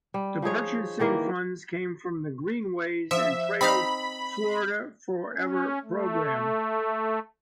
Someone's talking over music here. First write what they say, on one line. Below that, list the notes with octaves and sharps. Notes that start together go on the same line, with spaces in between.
The purchasing funds came from the Greenways and Trails Florida Forever program.
G3
F3 D#4 G#4 C#5
D#3 E3 A#3 A#4
F3 E5
C4 D#4 F5 B5
C#4
A3